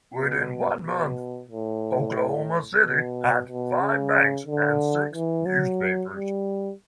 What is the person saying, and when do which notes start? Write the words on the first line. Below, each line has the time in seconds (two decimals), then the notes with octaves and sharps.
Within one month, Oklahoma City had five banks and six newspapers.
0.17 B2
0.84 B2
1.49 A2
2.82 B2
3.47 B2
3.81 C#3
4.47 D3
5.13 E3
5.46 F#3
6.13 G3